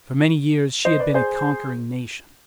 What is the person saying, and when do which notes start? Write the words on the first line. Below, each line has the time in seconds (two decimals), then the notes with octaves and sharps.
For many years she had been a conquering nation.
0.85 C5 D#5
1.00 B4 D5
1.14 G#4 C5